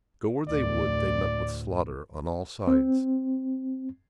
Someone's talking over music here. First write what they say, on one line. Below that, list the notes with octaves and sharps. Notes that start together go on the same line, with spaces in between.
Go where they would, they met with slaughter on all sides.
D2 A2 D5
C4